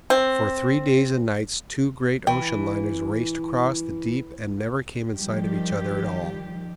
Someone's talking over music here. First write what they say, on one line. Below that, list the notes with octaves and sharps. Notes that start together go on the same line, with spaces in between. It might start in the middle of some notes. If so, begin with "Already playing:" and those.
For three days and nights two great ocean liners raced across the deep and never came in sight of each other at all.
C4
E3 G5
D#3 F3 G3 G4